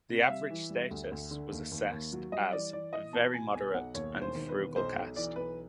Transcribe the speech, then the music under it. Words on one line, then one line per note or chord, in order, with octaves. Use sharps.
The average status was assessed as "very moderate and frugal cast".
C3
F5
G3 E5
E3
G3
D2
D2
D3
D#2
D#2
D#2
F#3
G3 D#5
E3 D5
E3 D5
E3 D#5
B2 A5
B2 G#5
B1 G#5
B1 F#5
D#2 C#5
E1
C5
D#3
B4
E1
B1 C5
B1
E3 D5
B1 B4